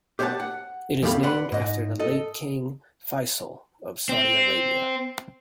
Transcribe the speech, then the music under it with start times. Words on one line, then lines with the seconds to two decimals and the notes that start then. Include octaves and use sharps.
It is named after the late King Faisal of Saudi Arabia.
0.19 G4 C5 C#5 E5 F#5 A5
0.40 F#5
1.02 E2 A2 G4 A4 F5 B5
1.23 B4 D5 F#5 B5 C6
1.52 G#2 D#5
1.99 A4 D#5
4.09 C4